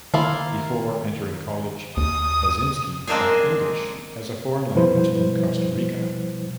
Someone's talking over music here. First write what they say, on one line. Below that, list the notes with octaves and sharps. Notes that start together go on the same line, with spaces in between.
Before entering college, Krasinski taught English as a foreign language in Costa Rica.
D#3 A#3 E4 F4
D#2 D#6
G#3 A#3 C4 D4 D#4 G#4
B2 F3 G3 E4 B4 C5